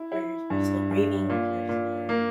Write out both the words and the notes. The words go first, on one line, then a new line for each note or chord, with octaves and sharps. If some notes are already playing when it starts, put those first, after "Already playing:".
we're s we're still grieving, we're still,
Already playing: E4
E4
G2
G2
A#2
A#2
A#3